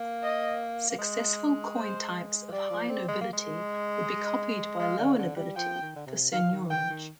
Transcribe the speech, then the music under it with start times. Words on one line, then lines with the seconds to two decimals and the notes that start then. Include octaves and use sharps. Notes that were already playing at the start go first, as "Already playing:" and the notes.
Successful coin types of high nobility would be copied by lower nobility for seigniorage.
Already playing: A#3
0.23 D#5
0.90 A#3
0.99 G#3
1.75 C5
2.51 G3 D5
2.70 F3
2.89 C4
3.08 G#3
3.21 A#3
3.33 G#3
4.04 D#5
4.79 G#3 F5
4.98 D3
5.18 D3
5.36 G3
5.56 F3 G5
5.82 D#3
5.96 D3
6.07 C3
6.32 D#3 F5
6.43 F3
6.51 D#3
6.70 D#3 G5
6.90 D#3